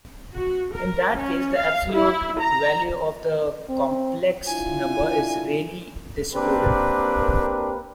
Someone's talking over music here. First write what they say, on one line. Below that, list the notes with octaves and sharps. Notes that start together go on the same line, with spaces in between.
In that case, the absolute value of the complex number is Rayleigh-distributed.
F#4
A#4
C#4
F5
E4
A#5
C4
D4 E4 F4 G#5
A#3 C4 D4 G4 A#4 B4